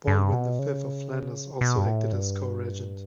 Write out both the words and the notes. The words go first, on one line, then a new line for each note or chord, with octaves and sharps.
Baldwin the Fifth of Flanders also acted as co-regent.
G2
B2
C#3
B2
G2
A2
G2